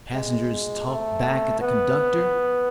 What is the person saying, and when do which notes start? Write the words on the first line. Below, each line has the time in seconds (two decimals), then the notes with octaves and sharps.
Passengers talk back at the conductor.
0.13 G#3
0.88 A3
1.61 B3